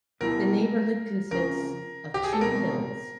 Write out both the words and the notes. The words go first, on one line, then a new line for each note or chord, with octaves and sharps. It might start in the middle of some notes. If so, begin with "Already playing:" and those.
The neighbourhood consists of two hills.
B2 F#3 B3 E4 G4 A#4
F2 C#3 F3 A#4
G4
G#4
A4
B2 G#3 C4 A#4